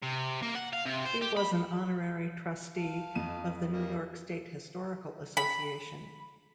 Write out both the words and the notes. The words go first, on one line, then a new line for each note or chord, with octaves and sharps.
He was an honorary trustee of the New York State Historical Association.
C3
A#3
F#5
F5
C3
C5
G4
B5
F5 A5
F2 D#7
E3 G3 A#3
B5